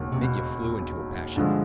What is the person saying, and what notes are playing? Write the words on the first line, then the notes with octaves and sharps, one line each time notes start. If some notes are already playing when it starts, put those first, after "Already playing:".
Mitya flew into a passion.
Already playing: E1 D#2 C#3 F#3
C3
B2
G2 D3 F3 G#3